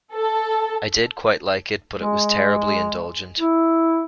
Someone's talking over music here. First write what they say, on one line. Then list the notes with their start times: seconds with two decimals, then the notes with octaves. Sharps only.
I did quite like it but it was terribly indulgent.
0.13 A4
1.98 G#3
3.40 E4